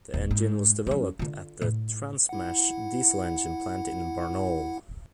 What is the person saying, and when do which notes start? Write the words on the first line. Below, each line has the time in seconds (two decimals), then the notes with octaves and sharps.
The engine was developed at the Transmash Diesel Engine Plant in Barnaul.
0.14 D#1
0.31 G#2
0.87 F#3 C#4
1.19 D3 F4
1.62 A2
2.29 E4 F#5